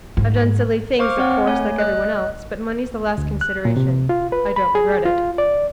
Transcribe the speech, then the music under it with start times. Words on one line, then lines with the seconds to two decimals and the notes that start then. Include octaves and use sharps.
I've done silly things, of course, like everyone else, but money's the last consideration; I don't regret it.
0.17 G#2
0.99 C5 F5 C#6 D6 F6
1.18 C4 C#5 F#5
1.47 A3 C#5 G#5
1.78 D#5 F#6
3.18 D2
3.41 F#6
3.65 A#2
3.77 C3
4.09 F4
4.32 B4
4.56 B5
4.75 G#4
5.05 F4
5.38 D5